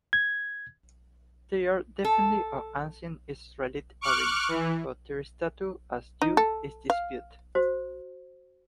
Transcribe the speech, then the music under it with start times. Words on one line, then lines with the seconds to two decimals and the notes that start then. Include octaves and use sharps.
They are definitely of ancient Israelite origin, but their status as Jews is disputed.
0.13 G#6
2.04 A4
4.01 C#6 D6 F6 F#6
4.48 E3
6.22 D#4
6.37 A4
6.90 F5
7.55 F#4 C5